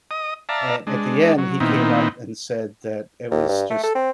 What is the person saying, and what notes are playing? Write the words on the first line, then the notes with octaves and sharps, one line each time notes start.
At at the end, he came up and said that it was just
D#5 D#6
D5 E5 F5 A5 A#5
G#3 D4
F#3
A#2 D#3 B3 C4 D#4 E4
D#2
G2
A3
A4
C4